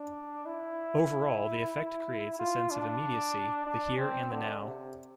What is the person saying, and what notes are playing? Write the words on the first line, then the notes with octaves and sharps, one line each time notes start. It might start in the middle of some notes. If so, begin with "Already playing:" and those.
Overall, the effect creates a sense of immediacy, the here and the now.
Already playing: D4
E4
F4
D4
D4
C4
D3
C3